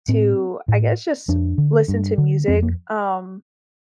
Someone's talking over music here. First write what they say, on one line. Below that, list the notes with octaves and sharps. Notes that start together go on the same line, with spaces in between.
to, I guess, just listen to music, um,
A2 C4
A2
F2 D4
D3
G2
D3
F2 C4
A#3